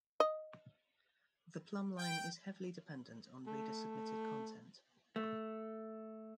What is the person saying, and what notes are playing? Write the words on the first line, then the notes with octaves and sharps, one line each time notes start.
The Plumbline is heavily dependent on reader-submitted content.
D#5
G5
A3
A3